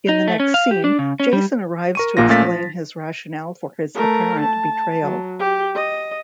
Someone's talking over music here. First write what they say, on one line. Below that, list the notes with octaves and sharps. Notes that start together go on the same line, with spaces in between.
In the next scene Jason arrives to explain his rationale for his apparent betrayal.
D#4
A3
C#4
F5
G4
D4
C#3
C#4
G3
A#4 C#6 D#7
A#1 A#2 A#3 F4 A#6
A#2 A3 C#4 F5 A6 B6
F3
A3 A#4
A5
F#3
G4
D#5